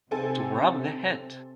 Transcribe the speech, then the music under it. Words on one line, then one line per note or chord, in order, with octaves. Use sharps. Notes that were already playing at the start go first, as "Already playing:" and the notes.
To wrap the head.
C3 C4 A4 G#5